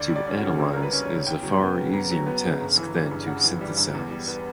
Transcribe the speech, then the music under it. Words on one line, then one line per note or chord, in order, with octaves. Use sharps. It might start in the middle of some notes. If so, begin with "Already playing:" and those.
To analyze is a far easier task than to synthesize.
Already playing: D2 D5
G3
D5
C#4
F#4
C#3
D2
G3 A#4
B4
C#4
C#5
C#3
E2 G5
F#3
B3
C#3
E2 A#5
F#3
B3
C#3
G1
E3
G3
G2
G1 F#5
E3
G3
G2
E2
G3
B3